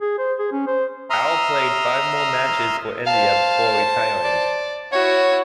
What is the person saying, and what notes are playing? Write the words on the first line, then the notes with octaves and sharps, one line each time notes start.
Ao played five more matches for India before retiring.
G#4
C5
G#4
C#4
C5
E5 A#5 C6 D#6 F6
C5 F5 A5
D5
E4 F#4 C#5